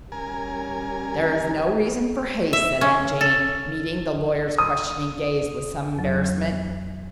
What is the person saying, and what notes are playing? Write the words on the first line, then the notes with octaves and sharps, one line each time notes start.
"There is no reason for haste," said Aunt Jane, meeting; the lawyer's questioning gaze with some embarrassment.
G3 C#4 A#4 G#5
E5
C#4
A4
D#6
F2 F#3